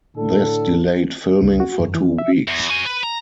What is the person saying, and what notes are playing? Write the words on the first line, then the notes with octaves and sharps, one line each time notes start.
This delayed filming for two weeks.
A2 D3 A4
C#2
F#4
F#2
E3
E5
E2
F#4 G#5
B4
A#5